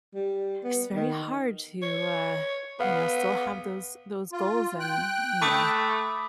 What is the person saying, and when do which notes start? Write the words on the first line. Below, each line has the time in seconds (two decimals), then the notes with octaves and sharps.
it's very hard to, uh, you know, still have those those goals and, you know
0.15 G3
0.64 B3
0.95 D#3
1.82 C#5
2.80 B3 B4 F5 F#5
4.32 F4
4.80 G5 F#6
5.42 A3 B5 D6 D#6